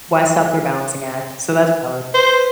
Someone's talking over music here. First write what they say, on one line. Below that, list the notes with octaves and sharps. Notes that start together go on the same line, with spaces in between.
why stop their balancing act? So that's valid.
B4 C5